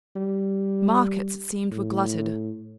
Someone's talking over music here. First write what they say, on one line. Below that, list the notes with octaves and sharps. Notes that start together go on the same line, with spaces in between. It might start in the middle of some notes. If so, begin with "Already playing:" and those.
Markets, it seemed, were glutted.
G3
A2